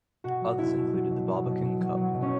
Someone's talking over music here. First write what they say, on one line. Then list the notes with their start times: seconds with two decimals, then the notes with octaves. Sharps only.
Others included the Barbican Cup.
0.24 B2 F#4
0.41 F#3
0.58 B2 E4
0.76 B2
0.93 F#3
1.11 B2
1.27 F#3
1.46 B2
1.62 B2
1.80 F#3
1.97 F#3
2.14 B2
2.22 C#4